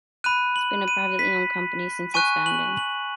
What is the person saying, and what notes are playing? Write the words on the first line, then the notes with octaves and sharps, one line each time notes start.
It's been a privately owned company since its founding.
B5 F#6 D#7
F#7
D#7
B6
G#5 C#6 F#6 D#7
F#7
F#7